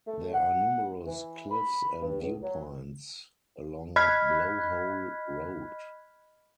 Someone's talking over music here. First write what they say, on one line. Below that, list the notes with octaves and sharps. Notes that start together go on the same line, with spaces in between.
There are numerous cliffs and viewpoints along Blowhole Road.
A3
F#5
E3
B5
G2
C#2
F#3
D#5 B5 F6 F#6 G#6 B6